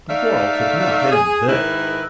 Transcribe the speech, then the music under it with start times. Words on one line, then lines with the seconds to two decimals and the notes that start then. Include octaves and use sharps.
The quarrel could not end there.
0.10 A3 D#4 D5 E5 F5
1.11 G#4
1.48 G#2 D#3 D#4 E4 A#4 B4